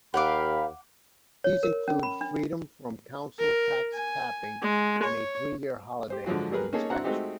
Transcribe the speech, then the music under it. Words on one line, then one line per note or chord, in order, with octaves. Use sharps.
These include freedom from council tax capping and a three-year holiday from inspection.
D#2 G4 A#4 F5 F#5 B5 D6
C#5
A#4
C#4
B5
D4
A#4
G#5
G#3
C#5
G4 C5
G#2 D3 F3 F#3 F#4
F#3 G3 G#4 A#4 B4
A#3 C#4 D#4 G#4 A4 C#5
C4 D4 E4 F#4 F#5 A#5
G#3 A3 C4 D#4 F#4 G4